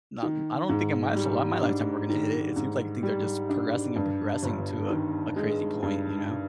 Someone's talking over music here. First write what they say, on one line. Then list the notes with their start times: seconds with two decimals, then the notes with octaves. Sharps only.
not I don't think in my my lifetime we're gonna hit it, it seems like things are just progressing and progressing to a to a crazy point, you know?
0.23 D#3
0.69 G#2
1.16 G3
1.63 D4
2.09 D#3
2.56 G#2
3.03 G3
3.49 D4
3.96 G2
4.43 G1
4.90 D#3
5.36 G#3
5.82 G2